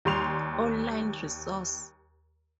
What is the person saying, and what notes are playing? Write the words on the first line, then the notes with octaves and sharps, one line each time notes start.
Online resource.
D#2 G3 C6 F7